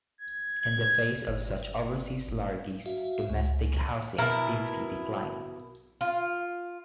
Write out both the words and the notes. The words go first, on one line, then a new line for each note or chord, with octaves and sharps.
In the face of such overseas largesse, domestic housing activity declined.
G#6
G#6
G1
F#4 E5 F5
C#2
B2 E4 A#4
F4